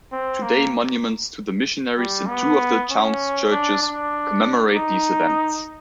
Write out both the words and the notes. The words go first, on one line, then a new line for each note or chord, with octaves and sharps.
Today monuments to the missionaries in two of the town's churches commemorate these events.
C4
A#3
G3
B3
C#4
D4
D4
D#4